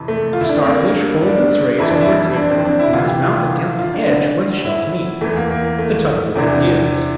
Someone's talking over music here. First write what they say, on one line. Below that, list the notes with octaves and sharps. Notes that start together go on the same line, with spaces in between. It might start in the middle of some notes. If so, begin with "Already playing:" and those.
The Starfish folds its rays over its victim, with its mouth against the edge where the shells meet. The tug-of-war begins.
Already playing: F2 C3 E3
A3
F4
E4
D4
C4
G2 D3 A#3
D4
F2 E3 E4
D4
E4
D4
C4
D4
E4
D2 C3 E3 F4
G4
F4
F4
D4
D2 D3
E4
E2 E3 A3
A#3
A#3
A3
E2 C3 E3 D4